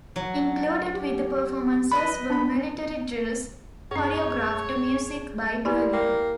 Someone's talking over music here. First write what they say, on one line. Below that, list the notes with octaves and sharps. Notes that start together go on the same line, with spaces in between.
Included with the performances were military drills choreographed to music by Berlin.
F#3
G4
B4 D#5 B5 B6
D4 B5
F#2 C#4 G#4 C#5
E4 G4 D5 G#5 B5 C6
A#3 G5